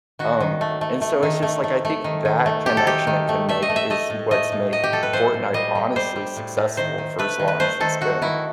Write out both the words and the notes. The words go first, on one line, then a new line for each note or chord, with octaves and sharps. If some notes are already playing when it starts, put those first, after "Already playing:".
Um, and so it's, just, like, I think that connection it can make is what's made Fortnite honestly successful for as long as it's been.
D#3 F#4
D#3
A3
A3
A3
D#3
A3
A3
A3
D#3
D#3
A3
F#3 G4
A4
D#3 G4
D#3
A3
A3 E5
D#5
A3
E5
A3 D#5
A2
A3 D#5
A2
F#3 D#5
G4
F#3 A4
B4
A2 C5
A2
G3 D#5
G3
G3 C5
G3
A2
A2
D#3 C5
D#3
A3 B4
D#3
B4
A3 C5
D#3 A4
D#3 F#4
D#3 E4